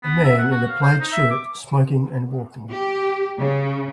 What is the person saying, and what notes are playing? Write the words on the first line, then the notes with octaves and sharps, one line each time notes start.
A man in a plaid shirt smoking and walking.
B3
E5
F#5
F#4
F5
C5
D#4
E5
D6
G4
C#3